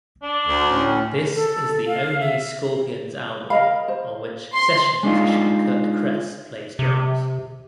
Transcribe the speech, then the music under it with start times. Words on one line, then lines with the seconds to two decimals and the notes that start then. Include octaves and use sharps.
This is the only Scorpions album on which session musician Curt Cress plays drums.
0.23 D4
0.47 D2
0.71 A2 C#4
1.35 A4
1.87 F5
2.20 E5
3.50 A#4 D#5 F5 B5
3.88 C5
4.54 C6
5.03 G#3 D4 D#4 F4
6.79 C3